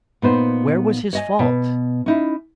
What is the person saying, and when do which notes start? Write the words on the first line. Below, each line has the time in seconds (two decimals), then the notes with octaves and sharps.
Where was his fault?
0.22 A#2 B3 D#4 C5 F#5
1.13 C#5 D#5 G#5
1.39 B2
2.06 C#4 D#4 E4